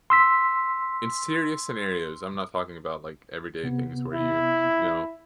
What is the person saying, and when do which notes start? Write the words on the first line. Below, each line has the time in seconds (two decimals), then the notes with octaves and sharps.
in serious scenarios, I'm not talking about, like, everyday things where you, you know,
0.10 C6 E6 B6
3.64 C3 B3
4.13 E4